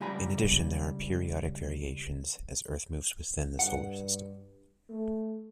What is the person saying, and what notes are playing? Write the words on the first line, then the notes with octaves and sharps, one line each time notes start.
In addition there are periodic variations, as Earth moves within the Solar system.
C#2 G3 G#5 A#5 B5
G2 F#5
A3